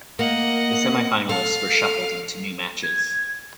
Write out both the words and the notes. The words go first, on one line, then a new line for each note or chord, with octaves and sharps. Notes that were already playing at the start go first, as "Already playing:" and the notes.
The semifinalists were shuffled into new matches.
A#3 D#5 F#5
A4 F5
G#6